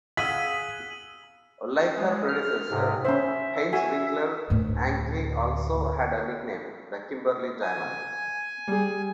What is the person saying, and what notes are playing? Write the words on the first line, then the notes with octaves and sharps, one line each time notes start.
Like her predecessor, Heinz Winckler, Anke also had a nickname: The Kimberley Diamond.
G#4 F5 F#5 E6 B6 D#7 F#7
G#3
F6
G#2 C3
C#4 C5 E5
F#4 E5 G#5
D2 A2
G#5
G3 G#4